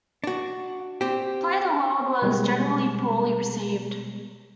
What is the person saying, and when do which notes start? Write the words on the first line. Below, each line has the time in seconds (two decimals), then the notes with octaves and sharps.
"Play the World" was generally poorly received.
0.24 D4 F#4
1.01 C4 G4
2.22 B2 G3 G#3 B3